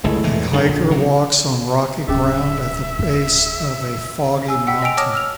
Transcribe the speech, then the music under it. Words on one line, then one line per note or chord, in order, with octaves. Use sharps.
A hiker walks on rocky ground at the base of a foggy mountain.
G1 C#2 G#2 G#3 A3 E4
E2 A2 E3
F#2 A#2 D3 D#3
A#1
C3 F#3
D1 C#4 G#4 D#5 E5
G#5 E6
F#5 G5 E6 B6
D#5 G5 G#5 E6 D7 F7
C#5 A5 D6 D#6 F6 A#6
E6 F6 F7